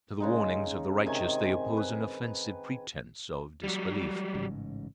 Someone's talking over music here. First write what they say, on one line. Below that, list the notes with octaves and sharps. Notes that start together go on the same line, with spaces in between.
To the warnings of the righteous they oppose an offensive pretence of disbelief.
C#3 G#3 D#4
C3 D#3 G#5
B4
F#3 G3
A1 G#2 C#3